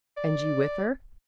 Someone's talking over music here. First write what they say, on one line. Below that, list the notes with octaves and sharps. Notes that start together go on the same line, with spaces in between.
"And you with her?"
D5